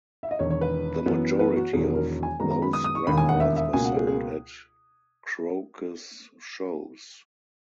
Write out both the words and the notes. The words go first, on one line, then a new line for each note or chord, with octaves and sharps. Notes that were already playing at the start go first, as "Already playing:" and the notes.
The majority of those records were sold at Croce's shows.
E5
D#5
E1 E2 D#3 C#5
C#5
B4
F#2 E3 B3
B4
F#4
E1 E2 D#3 F#3 G#4
G#4
A#4
G#5
F#2 D#3 G#3 B3 A#5
A#5
B5
D#6
D#6
C#6
E1 D#2 D#3 A#3 B5
G#5
F#5
E5
E5
C#2 B2 A#3 G#5
F#5
G#4
G#4